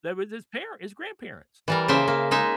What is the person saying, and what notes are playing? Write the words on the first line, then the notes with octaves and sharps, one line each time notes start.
That was his parent his grandparents.
E3 G3 A#4
C#3 A#3 C5 E5
A#3
G#3 D#4 E5